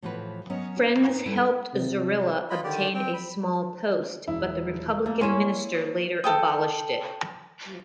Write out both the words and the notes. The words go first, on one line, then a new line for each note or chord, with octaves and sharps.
Friends helped Zorilla obtain a small post, but the republican minister later abolished it.
A2 E3 F3 F#4 B4
F#3 B3 C#4 A#4 D#5
F#4 A#4
D#4 B4
G3 E4 A4 B4
C3
F4 D#5 B5
D3 D#3 G4 D5
C4 G5
B5
E1 E4
A3 A#3
C#4 E4 C6 D#7 E7
A4 G5 D#6